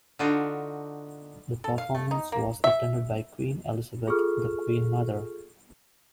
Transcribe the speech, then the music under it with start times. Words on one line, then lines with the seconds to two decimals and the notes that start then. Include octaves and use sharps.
The performance was attended by Queen Elizabeth, the Queen Mother.
0.19 D3 D4 D#4 F4 F#4
1.64 A4
1.78 F5
1.95 A3
2.11 D#4
2.32 A#3
2.64 E5
4.07 F4 G#4 A4 C#6 F6